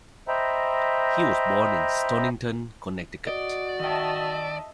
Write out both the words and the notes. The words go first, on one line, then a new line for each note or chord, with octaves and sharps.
He was born in Stonington, Connecticut.
C5 D#5 E5 G5 A#5 B5
F#4 D5 D#5
D#3 D#5 E5 G5 A5